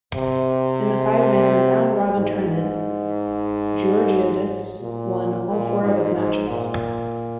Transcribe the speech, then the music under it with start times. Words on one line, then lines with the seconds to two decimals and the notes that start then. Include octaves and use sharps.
In the five-man, round-robin tournament, Georgiadis won all four of his matches.
0.16 C3
2.16 G#2
4.82 A#2
5.49 A#2
5.83 G#2
6.16 G#2
6.50 A#2